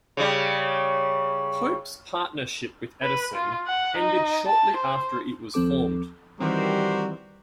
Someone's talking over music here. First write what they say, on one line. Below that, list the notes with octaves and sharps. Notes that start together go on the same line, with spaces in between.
Pope's partnership with Edison ended shortly after it was formed.
C#3 G3
B4
F4
F#5
D#4
A5
C5
D#2 F3 C4 A4 D6
D#3 E3 G3 C4 F#4 G4 A#4 C5